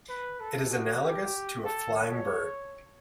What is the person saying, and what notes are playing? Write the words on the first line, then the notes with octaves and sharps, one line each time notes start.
It is analogous to a flying bird.
B4
A4
F#4
G4
A4
C#5